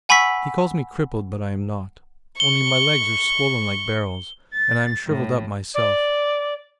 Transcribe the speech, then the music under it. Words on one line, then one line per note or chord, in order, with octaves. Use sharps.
He calls me crippled, but I am not, only my legs are swollen like barrels, and I am shriveled up myself.
F#5 G#5 B5 C#6 E6 B6
C#6 G7
A6
A2
D5